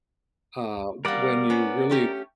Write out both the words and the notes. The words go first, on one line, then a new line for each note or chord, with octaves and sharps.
uh, when you really
G3 A#3 A#4 D5 F#5
B3 C#4
A3 C#4 G4